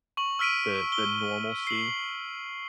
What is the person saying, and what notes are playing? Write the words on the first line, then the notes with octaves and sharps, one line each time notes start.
the the normalcy,
C#6 F#7
E6 F6 B6 D7 D#7
G7
C7 F#7